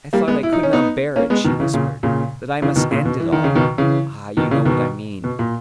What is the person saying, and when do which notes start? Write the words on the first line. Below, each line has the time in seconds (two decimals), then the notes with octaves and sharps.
"I thought I could not bear it," she whispered--"that I must end it all--ah! you know what I mean."
0.13 G3 A#3
0.28 G#3 B3
0.43 E4
0.53 D#4
0.63 C#4
0.73 B3 D#4
1.16 A#3 C#4
1.30 G#3 B3
1.44 B2 D#3
1.60 C#3 E3
1.73 A#2 C#3
2.03 A#2 C#3
2.62 C#3 E3
2.76 B2 D#3
2.91 A#2 C#3
3.05 B2
3.19 E3
3.32 D#3
3.44 C#3
3.55 B2 D#3
3.78 C#3 E3
4.37 B2 D#3
4.51 C#3 E3
4.65 B2 D#3
5.24 B2
5.39 A#2